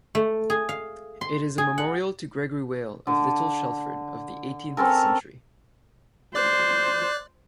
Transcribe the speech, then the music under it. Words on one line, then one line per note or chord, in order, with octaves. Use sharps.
It is a memorial to Gregory Wale, of Little Shelford, of the eighteenth century.
A3
G#4
F5
C6
G#4
F#5
D3
C4 C#4 A4 A#4
C5 D5 D6 F#6